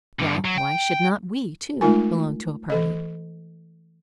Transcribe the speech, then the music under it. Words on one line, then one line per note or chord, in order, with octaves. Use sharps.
Well, why should not we, too, belong to a party?
G2 D3
F#3
G5
G#3 A3 D#4 F4 A#4 G#5
E3 A4 D#5